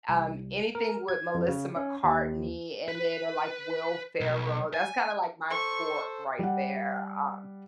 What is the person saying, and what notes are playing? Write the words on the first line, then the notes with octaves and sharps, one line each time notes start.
um, anything with Melissa McCartney in it or like Will Ferrell, that's kinda like my pork right there, um
C2
A#4
G#6
F2
C#3
C#4
D#2
B4
B1
G#5
A4 C5 C#6
G3 F#5